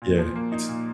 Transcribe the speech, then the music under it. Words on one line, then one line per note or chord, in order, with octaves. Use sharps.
yeah, it's
A#2
F3
A#3
D#4
A#2